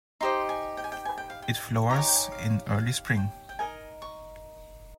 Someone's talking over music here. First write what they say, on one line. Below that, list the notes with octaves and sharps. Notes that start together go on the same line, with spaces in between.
It flowers in early spring.
D#4 G4 C5 D#5 C6
G#5
G5
G#5
G5
G#5
G5
F5
G5
D#4 G4 C#5 A#5
G#5
G5
G#5
F5
F5
G5
G5
D#4 A#4 D#5 G#5
C#6